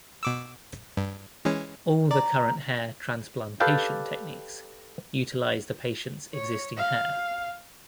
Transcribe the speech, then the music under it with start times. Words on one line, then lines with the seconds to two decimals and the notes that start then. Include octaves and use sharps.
All the current hair transplantation techniques utilize the patient's existing hair.
0.23 B2 D6 E6
0.97 G2
1.45 E3 G#3 C#4
2.11 D5 A#5
3.60 G4 A4 B4 D5 F5 G5
6.34 C#5
6.77 F5